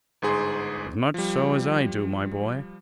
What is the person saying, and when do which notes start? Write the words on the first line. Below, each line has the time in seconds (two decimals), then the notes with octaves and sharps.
"As much so as I do, my boy!"
0.22 G1 G#2 G#4 C6
1.14 F3 G3